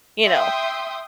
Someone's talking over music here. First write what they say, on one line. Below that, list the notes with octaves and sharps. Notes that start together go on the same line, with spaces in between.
You know?
E5 G5 C6 D#6